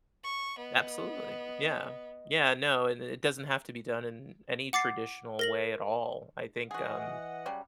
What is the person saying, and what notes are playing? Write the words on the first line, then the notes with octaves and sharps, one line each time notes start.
Absolutely. Yeah, yeah, no, and it it doesn't have to be done in any traditional way at all, I think, um,
C#6
B3 D#5
F#5 D6 A6 C7
A#4 A#6 F#7
E3 F#4 G#4 D#5 F#5
C#3 F#3 G3